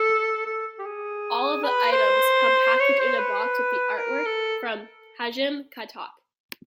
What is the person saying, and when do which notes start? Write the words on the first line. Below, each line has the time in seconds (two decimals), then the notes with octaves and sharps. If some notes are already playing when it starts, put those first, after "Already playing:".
All of the items come packaged in a box with artwork from Hajime Katoki.
Already playing: A4
0.46 A4
0.79 G4
0.86 G#4
1.64 B4
1.92 C5
2.80 C#5
2.99 C5
3.19 B4
3.97 A#4
4.26 A4